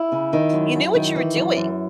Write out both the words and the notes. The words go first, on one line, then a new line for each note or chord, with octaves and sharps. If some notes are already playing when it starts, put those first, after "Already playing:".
you knew what you were doing.
Already playing: E4
C#3
D#3
F#2
F#2
D#3
E3
F#2
F#2